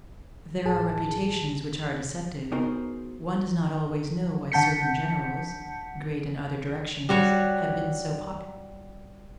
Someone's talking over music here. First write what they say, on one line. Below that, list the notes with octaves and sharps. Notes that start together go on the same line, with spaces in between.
There are reputations which are deceptive; one does not always know why certain generals, great in other directions, have been so popular.
A1 G#4 A5
B3 D#4 F#4 G#4 A#4 C5
D3 F#5 A5 G6 B6 C#7
G3 F#4 C#5